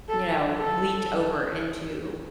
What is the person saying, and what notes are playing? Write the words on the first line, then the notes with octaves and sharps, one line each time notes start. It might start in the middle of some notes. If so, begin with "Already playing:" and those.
you know, leaked over into,
A4
A4